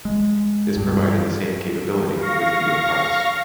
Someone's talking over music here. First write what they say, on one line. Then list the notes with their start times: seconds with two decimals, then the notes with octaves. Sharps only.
This provided the same capability with fewer parts.
0.05 G#3
0.77 G2
2.20 F5 C#6 A#6